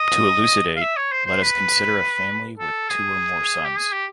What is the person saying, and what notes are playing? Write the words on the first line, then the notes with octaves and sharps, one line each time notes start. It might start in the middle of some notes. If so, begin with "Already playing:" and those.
To elucidate, let us consider a family with two or more sons.
Already playing: D#5
F5
E5
C#5
C5
C5
B4
A4
G#4
G4
G#4
G4